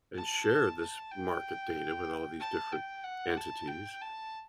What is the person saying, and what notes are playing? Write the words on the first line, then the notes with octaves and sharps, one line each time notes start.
and share this market data with all these different entities,
A5
A5
G5
A5
G5
F#5
A5
G5
A5